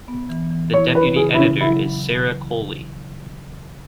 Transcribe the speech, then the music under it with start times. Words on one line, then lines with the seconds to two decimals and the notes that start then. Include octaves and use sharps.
The Deputy Editor is Sarah Coley.
0.08 B3
0.29 E3
0.51 E3
0.73 E4 C#5
0.95 E4 B4
1.16 C#3 G#4
1.34 E4
1.38 C#3 C#4
1.61 F#3 E4